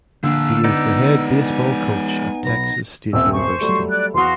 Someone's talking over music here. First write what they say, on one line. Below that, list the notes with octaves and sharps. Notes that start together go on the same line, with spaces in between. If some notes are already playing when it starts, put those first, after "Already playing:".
He is the head baseball coach of Texas State University.
D3 A#3 D4 E6
G#3 B3 D#4 D5
G#5
B1 B4 A#6
D#1 C4 E5 F#5 E6
C5 C#6
F#3 G3 A3
D5 F#6
E2 F#4 F5 C6 D#6